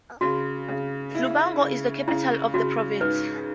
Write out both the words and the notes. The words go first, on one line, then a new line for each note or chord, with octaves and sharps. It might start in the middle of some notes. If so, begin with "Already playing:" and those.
Lubango is the capital of the province.
C#3 F#4
C#3
E4
C#3
C#3 E4
C#3 F#4
G#2 B4